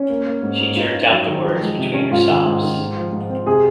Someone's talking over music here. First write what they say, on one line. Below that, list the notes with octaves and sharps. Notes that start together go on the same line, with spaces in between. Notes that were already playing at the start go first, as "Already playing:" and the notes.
She jerked out the words between her sobs.
Already playing: C#4
A#3
A#3
G#2
G#2
D#4 F4
F4
F#3
D#3
F3
G#3
C3
C#4
G#2 F4
D#3
G#2
D#3
G#2
F3
G#2
C4
C3 G#4